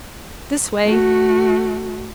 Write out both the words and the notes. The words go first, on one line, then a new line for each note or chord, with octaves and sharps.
This way.
A3 F#4